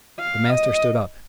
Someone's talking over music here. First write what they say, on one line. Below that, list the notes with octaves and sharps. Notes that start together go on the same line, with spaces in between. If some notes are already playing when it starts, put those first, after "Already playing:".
The master stood up.
F5
D#5